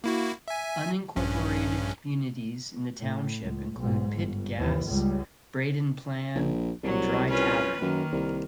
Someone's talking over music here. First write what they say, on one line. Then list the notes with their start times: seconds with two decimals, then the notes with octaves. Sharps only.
Unincorporated communities in the township include Pitt Gas, Braden Plan, and Dry Tavern.
0.04 A#3 E4 F#4
0.48 E5 G#5
1.16 A#1 G2 C#4
3.00 A2
3.42 C#2
3.77 B1 G#2
4.13 G1
4.58 D#2 E3
4.88 C#2 G3
6.35 A#1
6.84 C2 F#3
7.28 C#4 F4 B4
7.82 F#2 D#3 A#3
8.12 C2